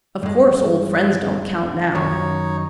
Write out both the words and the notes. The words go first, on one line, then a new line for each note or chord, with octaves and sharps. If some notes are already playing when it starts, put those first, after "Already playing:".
Of course old friends don't count now.
G2 G#3
F#2 D#3 F#3 D#4 C#5